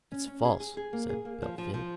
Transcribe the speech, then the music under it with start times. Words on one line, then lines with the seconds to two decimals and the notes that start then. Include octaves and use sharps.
"It's false," said Bellfield.
0.12 C#4
0.27 C#4
0.44 G#4
0.60 G#4
0.77 G#4
0.93 A#3
1.09 G#4
1.25 A#3
1.42 F3
1.58 F3
1.74 F3